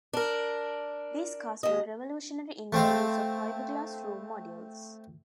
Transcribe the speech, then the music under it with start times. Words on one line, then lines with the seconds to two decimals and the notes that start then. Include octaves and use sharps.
These cars were revolutionary in their use of fiberglass room modules.
0.13 D4 A#4
1.63 D#2 D#5
2.73 A3 C4 F5